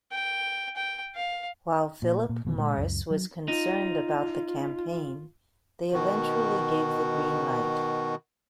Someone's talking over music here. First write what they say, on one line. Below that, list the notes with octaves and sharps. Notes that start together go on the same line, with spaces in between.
While Philip Morris was concerned about the campaign, they eventually gave the green light.
G5
G5
F5
A#2
A#2
F#1 B2 D#3
A#2 F#3 G#3
C#2 F#2
F#3
D#4 F4
B2 D#3 F#4